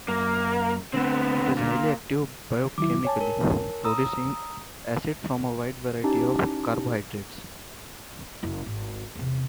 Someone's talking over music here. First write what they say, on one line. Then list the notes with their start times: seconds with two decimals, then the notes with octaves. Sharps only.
It is highly active biochemically, producing acid from a wide variety of carbohydrates.
0.08 F#2 A#3
0.93 D3 A3 B3 C4
1.58 A#2
2.78 D#3 F#3 E4 D6
3.05 C#5 G#5 A5
3.21 A#4
3.85 A#5 D#6 E6
6.04 C#4 D#4 E4 G4 A5
8.43 F#1 E4
8.66 G#1
9.15 E2 C3